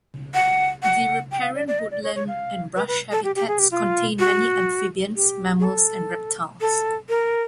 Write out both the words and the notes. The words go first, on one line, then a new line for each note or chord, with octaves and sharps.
The riparian woodland and brush habitats contain many amphibians, mammals and reptiles.
F#5
F#5
G5
F#5
F5
D5
D5
D#5
D5
C#5
C#5
F5
B4
B4
A4
G4
G4
G#4
G4
F4
F#4
G4
G#4
A4
A4
A#4